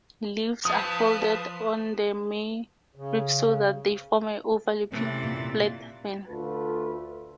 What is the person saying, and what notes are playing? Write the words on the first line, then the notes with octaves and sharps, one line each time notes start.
Leaves are folded on the midribs so that they form an overlapping flat fan.
F3 B4 A5 D#6
C#3
C3 E3 A3 C4 C#4 A6
A#2
D2 A3 F4 A4 B4